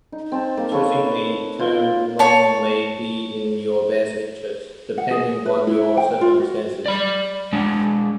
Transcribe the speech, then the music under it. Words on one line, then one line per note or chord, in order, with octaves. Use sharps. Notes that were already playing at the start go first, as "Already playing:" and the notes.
Choosing a term loan may be in your best interest, depending on your circumstances.
D#4
C4 A5
A#3
A4 B4 C#5 C#6
F4
C#5 A5
F#5
G#4
B4
E4
G5
F4
F#4
D5 B5
G#3 D4